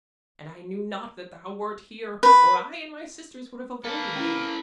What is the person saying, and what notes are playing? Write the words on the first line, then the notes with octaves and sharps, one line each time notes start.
And I knew not that thou wert here, or I and my sisters would have avoided thee.
B4
A#3 A4 B4
C#4 E4